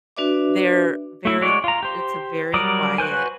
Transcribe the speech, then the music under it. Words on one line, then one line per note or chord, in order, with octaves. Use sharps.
they're very it's a very quiet,
D4 F#4 B4 D5 E5 D6
A3 E4
G#3 F#4 C#5 D5
F4 A#5
G4 C5
F#3 G3 A#4 D5 D#6
F#4 B4 C5 G#5